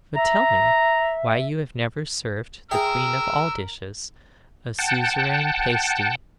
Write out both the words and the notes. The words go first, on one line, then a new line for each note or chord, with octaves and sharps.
But tell me why you have never served the queen of all dishes, a Suzeraine Pasty?'
E5 A#5
G#4 A#4 E5 G5 E6
F#5 G5 A5